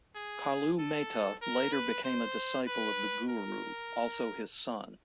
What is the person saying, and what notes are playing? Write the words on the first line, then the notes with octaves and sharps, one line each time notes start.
Kalu Mehta later became a disciple of the Guru, also his son.
G#4
A4
A#4
B4
C5
B4
A#4